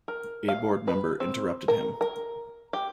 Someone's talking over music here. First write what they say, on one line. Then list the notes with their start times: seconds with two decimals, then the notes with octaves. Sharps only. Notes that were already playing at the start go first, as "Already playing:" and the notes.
A board member interrupted him.
0.08 A#4
0.48 F5
0.88 B4
1.20 C4
1.68 A#4
2.01 A#4
2.73 G4